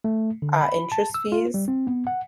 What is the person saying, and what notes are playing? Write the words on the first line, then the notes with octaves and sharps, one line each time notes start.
uh, interest fees,
A3
D3
B5
A5
E6
F4
G3
C4
B3
F#5